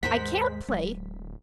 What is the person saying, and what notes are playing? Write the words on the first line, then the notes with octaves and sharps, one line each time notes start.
I can't play.
D#2 G#2 G#3 A#4 C5 F#5 B6
D1 F#3 G#3